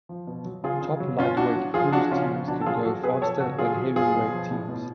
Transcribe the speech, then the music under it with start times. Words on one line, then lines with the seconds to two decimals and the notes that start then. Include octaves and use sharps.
Top lightweight crew teams can go faster than heavyweight teams.
0.09 F3
0.27 B2
0.45 F#3
0.64 C#3 F4 G#4
0.82 C#3
1.00 F#3
1.19 B2 C#4 F4
1.37 A2 D4 F#4
1.56 F#3
1.74 F3 F4 G#4
1.92 F3 D4 F#4
2.11 C#3 C#4 F4
2.30 F3
2.48 B2 D4 F#4
2.61 A4
2.66 F#3 F4 G#4
2.85 F#3 F#4 A4
3.03 B2 G#4 B4
3.22 F3 A4 C#5
3.40 C#3 F#4 A4
3.58 F#3 F4 G#4
3.77 F#3
3.96 F#3 F4 G#4
4.14 B2
4.33 F3
4.51 A2
4.69 B2